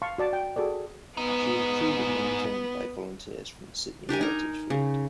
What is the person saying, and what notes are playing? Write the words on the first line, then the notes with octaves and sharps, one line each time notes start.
She is crewed and maintained by volunteers from the Sydney Heritage Fleet.
F5 A5 C6 C#6
F#4 D5 A5
G5
F#4 G#4 A4 D5
G#2 B3 D#4
D4 G4 A#4 G#5
D#4 A#4
C#3